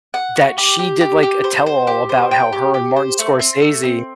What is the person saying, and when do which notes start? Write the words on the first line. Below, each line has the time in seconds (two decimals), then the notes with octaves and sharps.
that she did, like, a tell-all about how her and Martin Scorsese
0.14 F#5
0.36 F#4
0.58 G4
0.79 G4
1.01 G4
1.23 G4
1.44 C5
1.66 C5
1.87 G4
2.09 C5
2.31 G5
2.53 G4
2.74 G4
2.96 C5
3.19 A3
3.39 C4
3.62 A3
3.83 C4